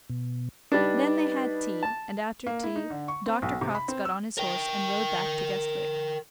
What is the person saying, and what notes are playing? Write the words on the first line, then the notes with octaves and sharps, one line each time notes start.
Then they had tea, and after tea Dr. Crofts got on his horse and rode back to Guestwick.
B2
G3 D4 D#4 B4
A5
A#3
E4
D#4
D3
C#6
C4
B1
C3
B5
C4
E6
A#4 G5